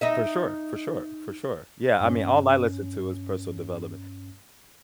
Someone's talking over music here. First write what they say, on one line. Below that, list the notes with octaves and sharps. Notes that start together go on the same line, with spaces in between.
For sure, for sure, for sure. Yeah, I mean, all I listen to is personal development.
D#4 D#5 E5
G2 C#4